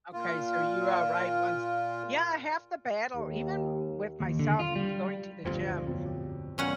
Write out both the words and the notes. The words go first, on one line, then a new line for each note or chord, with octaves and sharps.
Okay, so you are right once yeah half the battle even with myself going to the gym,
A#2 F4
D#2
D#2
D3
F4
G3
D2 G2 A#2 F3 C4 F4 G4
E1
F2 B2 F#3
G4
A#2 F3 G#3 B3 C#4 F#5